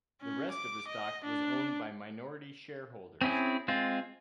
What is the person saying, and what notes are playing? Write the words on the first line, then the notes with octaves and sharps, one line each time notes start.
The rest of the stock was owned by minority shareholders.
C#4
D6
D#5
D4
C4 C#4 E4 G#4
G#3 C4 F4